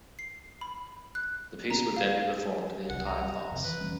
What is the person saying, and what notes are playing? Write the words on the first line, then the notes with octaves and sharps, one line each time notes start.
The piece would then be performed to the entire class.
C7
B5
F#6
A#5
F5
C2 F#5
A#5
G3
F2 C3 E3
E3 B4
E3 G3 C#4